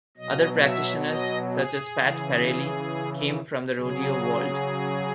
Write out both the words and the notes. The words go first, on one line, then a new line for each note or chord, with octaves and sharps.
Other practitioners, such as Pat Parelli, came from the rodeo world.
B2 F#3 D#5
E5
D#5
G#4
C#3 E3
C#3 F#3 G#4